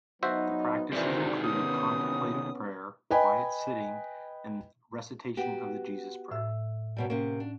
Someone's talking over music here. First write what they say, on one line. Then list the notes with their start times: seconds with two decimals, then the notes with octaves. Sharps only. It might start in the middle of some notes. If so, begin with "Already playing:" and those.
The practices include contemplative prayer, quiet sitting, and recitation of the Jesus Prayer.
0.23 F#3 B3 D#4 F#4 C5 E5
0.93 G#2 C3 D#3 E3 F#4 C5 D5
1.43 B3 C#4 D#6
3.11 B4 D#5 G5 G#5 B5
5.37 B3 F#4 G4
6.31 A2 E5 E6
6.97 F#2 B2 G3
7.10 C3 A#3 C#4
7.40 D4